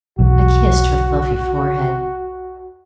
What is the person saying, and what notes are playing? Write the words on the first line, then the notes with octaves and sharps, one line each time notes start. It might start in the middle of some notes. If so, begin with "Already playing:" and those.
I kissed her fluffy forehead.
B1 E2 F#4